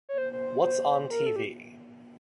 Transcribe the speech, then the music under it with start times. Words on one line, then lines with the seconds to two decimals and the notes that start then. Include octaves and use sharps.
What’s on T V?
0.09 C#5
0.18 C5
0.33 C5
1.11 A#4
1.26 A4
1.36 G4